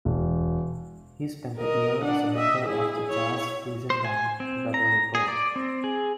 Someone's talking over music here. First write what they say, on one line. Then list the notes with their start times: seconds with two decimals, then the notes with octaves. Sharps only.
He spent a year as a member of the jazz fusion band, Weather Report.
0.05 E1
1.57 A#4 D#5
2.04 D4 F#5
2.33 D#5 E5
2.66 E4 G#4
3.08 E4 C#5
3.90 C5
4.05 G#5
4.40 C4
4.74 A#5
5.15 G#4
5.28 D5
5.56 C4
5.84 G#4